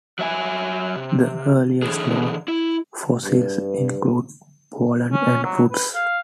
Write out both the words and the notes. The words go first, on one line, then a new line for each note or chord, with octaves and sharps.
The earliest known fossils include pollen and fruits.
F#3 E5 G#5
C3
D3 E3 G#4
E4
G2 B4
C#4
F#3
B4
F5